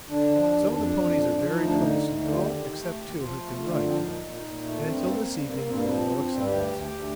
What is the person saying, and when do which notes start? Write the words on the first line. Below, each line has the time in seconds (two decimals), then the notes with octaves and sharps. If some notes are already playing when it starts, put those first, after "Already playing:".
Some of the ponies are very troublesome, but all except two have been running to-day, and until this evening there were no excitements.
0.09 D3 D4
0.30 F3
0.50 D#2
0.71 F2 D4
0.92 F2
1.12 F3
1.33 F3
1.53 D2 D#4
1.65 D4
1.74 D3 D#4
1.95 D2
2.15 D3
2.29 F4
2.35 D#2 G4
2.56 D#3
2.77 A3
2.97 D#2
3.18 F3 F4
3.39 A3
3.59 D3
3.72 A#3
3.80 F3 C4
3.91 D4
4.00 A#2 D#4
4.21 A#2
4.42 A#2
4.62 A3
4.83 G2 C4
5.03 A#3
5.24 G2
5.45 A#3
5.65 G2 C4
5.74 A#3
5.84 F3 C4
6.06 G2
6.27 G2
6.47 D2 G4
6.68 D2
6.89 D2